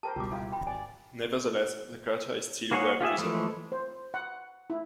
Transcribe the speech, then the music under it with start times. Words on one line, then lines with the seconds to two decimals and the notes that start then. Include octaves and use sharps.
Nevertheless, the crater is still well-preserved.
0.03 G4 A#4 C5 A5
0.16 C#2 B2 G3 F#4 G4 D6
0.31 E4 F4 G4 A4
0.52 G5 B5
0.67 G#1 D5 G#5
2.71 A#3 F#4 G#4 C#5 F#5
3.01 F4 G4 G#4 E5
3.18 E3 F3 G#3 A3
3.72 C5
4.14 F#5
4.70 E4